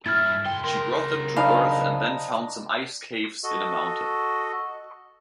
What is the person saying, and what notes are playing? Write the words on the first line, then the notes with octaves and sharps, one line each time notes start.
She brought them to Earth and then found some ice caves in a mountain.
G2 E4 F6 G#6 A6
B1 G5 C6
C#2 A#4 C6
D4 D#4 C5 D#5 F5 G#5 B5
F#4 A4 D#5